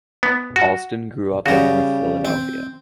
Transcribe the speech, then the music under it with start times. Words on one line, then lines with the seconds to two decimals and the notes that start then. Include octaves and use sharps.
Alston grew up in North Philadelphia.
0.23 B3
0.56 F#4
1.46 C#3 G3 F#4
2.25 C4